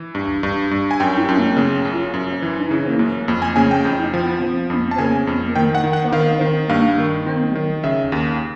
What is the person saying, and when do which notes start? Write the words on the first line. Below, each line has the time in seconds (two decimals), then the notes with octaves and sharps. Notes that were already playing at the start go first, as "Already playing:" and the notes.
He made two appearances in the qualifying campaign against Georgia and Hungary.
Already playing: E3
0.15 G2
0.43 G2
0.71 G2
0.91 G#5
1.00 F#2 G5
1.29 F#2
1.57 C#3
1.85 F#2
2.14 F#2
2.42 E3
2.71 C#3
2.99 F#2
3.28 F2
3.42 G#5
3.56 C#3 G#5
3.71 G5
3.85 F2
4.14 F3
4.42 F3
4.70 F2
4.91 A5
4.98 C#3 G#5
5.27 F2
5.55 D#3 G5
5.75 F#5
5.84 D#3
5.93 F#5
6.12 D#3 F5
6.41 D#3
6.70 G2 F5
6.98 D#3
7.26 D#3
7.55 D#3
7.84 C#3 E5
8.12 D#2